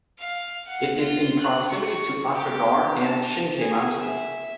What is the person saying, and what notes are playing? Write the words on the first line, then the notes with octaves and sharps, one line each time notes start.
It is in proximity to Ata Ghar and Shinkay mountains.
F5
F#5
F4
F#6
C#6
G4
A5
G#4
E5